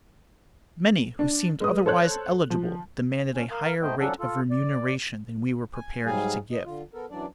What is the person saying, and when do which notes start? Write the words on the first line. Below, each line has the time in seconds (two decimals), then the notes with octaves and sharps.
Many, who seemed otherwise eligible, demanded a higher rate of remuneration than we were prepared to give.
1.19 D4
1.61 G#3 B4 D#6
1.86 A4 C5 C#5 F#6
2.50 F3
3.34 F3 C#4
3.51 A#4 F5
3.82 G#2 A3 B3 C5 D#5 G5
4.00 F3 F#3 C#4 D4 A4 F#5
4.19 F4 A4
4.51 D5
5.74 G#5
6.06 G#2 F#3 G3 G#4 F5 G#5
6.52 D#5
6.66 D3 F4
6.93 B3 A4 A#4
7.11 F#2 E3 F#3 D4 D5